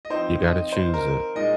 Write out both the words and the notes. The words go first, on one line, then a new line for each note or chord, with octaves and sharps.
You gotta choose it.
D#5
F3 C4 D#4 C5
D#5
C5
A#4
A#2 G#3 D#4 D#5